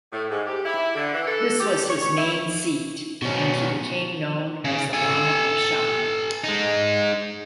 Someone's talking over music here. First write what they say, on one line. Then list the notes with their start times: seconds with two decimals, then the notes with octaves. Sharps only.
This was his main seat, and he became known as the Lama of Shang.
0.12 A2
0.30 G#2
0.46 G4
0.65 E4
0.95 D3
1.13 E3
1.27 A4
1.60 G4
1.89 C#5
2.17 E4
3.22 B2 C#4
4.65 C#3
4.93 A4 G#5
6.44 G#3 D#4